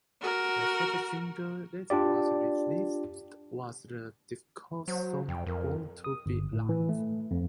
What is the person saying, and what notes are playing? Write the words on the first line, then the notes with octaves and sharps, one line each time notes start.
The first single that was released was the disco song "Born to Be Alive".
F#4 A#4
D4 F4 G4 D5
F#3 C5
F2 G5
F2 A#4
D#6
G1
A2
E3
A3
F2